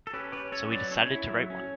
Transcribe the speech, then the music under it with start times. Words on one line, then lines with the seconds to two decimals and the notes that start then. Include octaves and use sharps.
So he decided to write one.
0.07 A4
0.13 C#4 G4 B4
0.32 C#4 G4 B4
0.52 C#4 A4 C#5
0.71 F#3 B4 D5
0.91 C#4 A4 C#5
1.11 E4
1.30 F#3
1.50 C#4